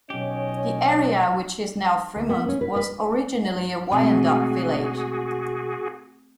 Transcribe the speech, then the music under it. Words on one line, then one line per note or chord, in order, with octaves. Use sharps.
The area which is now Fremont was originally a Wyandot village.
B1 C#4 D#4 G4 C#5 D#5
D2
B3
C#4
B4
B4
B2 G#3 A3 C4 F#4 G#4